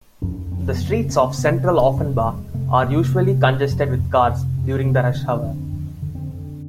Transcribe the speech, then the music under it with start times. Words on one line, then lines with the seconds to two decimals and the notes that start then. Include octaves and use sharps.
The streets of central Offenbach are usually congested with cars during the rush hour.
0.22 F2 C#4
0.51 F2 C4
0.73 B3
0.80 C#3
0.87 A#3
0.95 A3
1.09 C#3 C4
1.16 B3
1.38 C3 B3
1.59 C4
1.67 C3
1.82 C#4
1.96 F2
2.04 G3
2.25 F2 G#3
2.54 C3 A3
2.83 C3 A#3
3.12 C3
3.41 C3
3.70 F2
3.98 F2
4.27 C3
4.57 C3
4.85 D3 B3
5.15 D3 C4
5.43 F2 C4
5.72 F2
6.02 D3
6.15 C4
6.31 D3